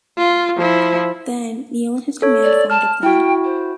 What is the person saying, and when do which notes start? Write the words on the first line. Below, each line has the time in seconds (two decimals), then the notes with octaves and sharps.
Then, Neill and his command formed a plan.
0.17 F4
0.58 F3 E4
2.22 A4 C#5
2.43 D5
2.70 A5 F6
3.03 E4 F#4 G5
3.44 C5